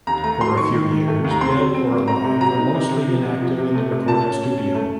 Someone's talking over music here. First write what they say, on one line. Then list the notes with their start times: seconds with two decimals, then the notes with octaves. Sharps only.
For a few years, Dead or Alive were mostly inactive in the recording studio.
0.07 D#2 A#5
0.24 A3 A#5
0.41 F#3 C6
0.57 D#3 C#6
0.74 D#3
0.91 D#3
1.08 A3
1.24 D#2
1.31 A#5
1.41 C4 C6
1.58 F#3
1.74 C4
1.91 F#3
2.08 C4 A#5
2.24 C3
2.41 F#3 A#5
2.58 D#4
2.74 C3
2.91 C3
3.08 F3
3.25 C3
3.42 F3
3.58 C3
3.75 A3
3.91 C3
4.08 A#2 A5
4.24 C#4
4.41 C#4
4.58 C#4
4.75 A3